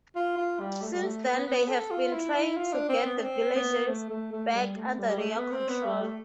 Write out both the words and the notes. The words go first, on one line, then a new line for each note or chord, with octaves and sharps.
Since then they have been trying to get the villages back under their control.
F4
F4
G3
A3
G3
A3
B3
B3
A4
F4
E4
E4
F4
D4
C4
B3
D4
C4
B3
A3
A3
A3
G3
A3
G3
G3
A3
B3
C4
B3
G3
A3